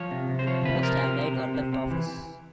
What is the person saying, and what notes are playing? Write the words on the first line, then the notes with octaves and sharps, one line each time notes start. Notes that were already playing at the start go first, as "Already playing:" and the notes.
Most have died or left office.
Already playing: F3 C#5
C3
C3
C5
F3 C#5
C3 B4
F3 A#4
C3
C3
C3
C3
C3
E3